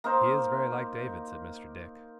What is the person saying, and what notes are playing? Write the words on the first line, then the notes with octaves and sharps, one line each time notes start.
'He is very like David!' said Mr. Dick.
A#3 D#4 A#4 C5